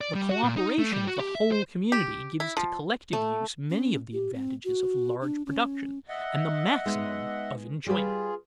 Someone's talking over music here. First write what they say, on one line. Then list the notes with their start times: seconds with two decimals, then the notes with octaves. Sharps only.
The cooperation of the whole community gives to collective use many of the advantages of large production, and the maximum of enjoyment.
0.01 D5
0.15 G3
0.29 F#4
0.43 A#2
0.57 D#4
0.79 A3
0.92 G3
1.07 F#4
1.20 G4
1.35 E5
1.52 C5
1.92 G4
2.40 E4
2.57 F3
3.13 A3
3.70 C#4
4.13 G4
4.34 C4
4.65 F#4
5.22 D4
5.46 C#4
6.09 D#5 E5 F#5
6.86 G#3 B3 D#4
7.87 G3 F4 G#4 B4